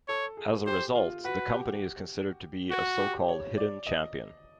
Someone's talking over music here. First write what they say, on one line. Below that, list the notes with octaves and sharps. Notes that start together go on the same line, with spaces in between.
As a result, the company is considered to be a so-called hidden champion.
A4 C#5
G#4
G4 C5
F4
F#4 B4
G4
F#4
G4
C#5
D5
D#5